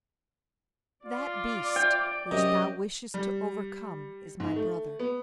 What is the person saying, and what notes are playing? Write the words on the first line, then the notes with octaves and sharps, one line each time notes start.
'That beast which thou wishest to overcome is my brother.
F4 D5
G5
F#2 C3 D#5
G3
G#2
A3
B3